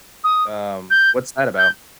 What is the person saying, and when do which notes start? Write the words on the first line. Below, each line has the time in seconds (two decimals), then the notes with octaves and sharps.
Um, what's that about?
0.23 D#6
0.90 G6
1.57 G6